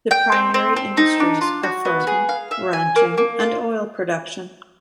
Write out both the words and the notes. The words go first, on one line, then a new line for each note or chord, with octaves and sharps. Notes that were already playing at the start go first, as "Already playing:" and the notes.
The primary industries are farming, ranching and oil production.
G5
C4
C4
C4
D#4
D4
F4
F#4
B3
G#4
F5
E5
G#5
A#3
A#3
F4